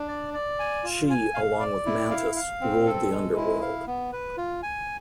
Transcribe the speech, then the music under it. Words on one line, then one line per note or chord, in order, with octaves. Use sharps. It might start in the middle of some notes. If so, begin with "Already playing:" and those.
She, along with Mantus, ruled the underworld.
Already playing: D4
D5
D5
G#5
F4
G#5
F5
D5
E4
F5
F5
C4
A4
G#3
E4
F5
B3
B4
F4
G#5